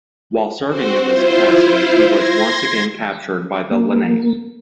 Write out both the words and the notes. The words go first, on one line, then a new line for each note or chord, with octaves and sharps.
While serving in this capacity he was once again captured by the Lenape.
C4 F#4 C5
E4 F4 C5
C6 G#6 A#6
A#3